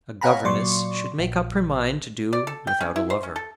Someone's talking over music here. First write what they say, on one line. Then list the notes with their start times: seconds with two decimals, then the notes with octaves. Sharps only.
A governess should make up her mind to do without a lover.
0.21 C#5 F5 F#5 G#5 A#5 B5
0.44 A#2 F#3 D5 C6 C#6
1.19 A#1
2.33 D5
2.47 A4
2.67 G5
2.81 C#4
2.96 E4
3.10 C5
3.23 C#4
3.36 A4